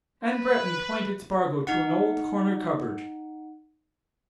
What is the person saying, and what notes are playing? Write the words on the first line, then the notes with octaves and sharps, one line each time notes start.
And Breton pointed Spargo to an old corner cupboard.
B4
D#4 F#5